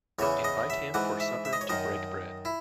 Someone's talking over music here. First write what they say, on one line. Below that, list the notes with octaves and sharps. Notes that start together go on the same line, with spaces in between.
Invite him for supper to break bread.
E2 C#3 E3 C#5
D#5
E5
G#2 E3 F#5
E5
E5
D#5
C#5
F#2 D#3 D#5
E4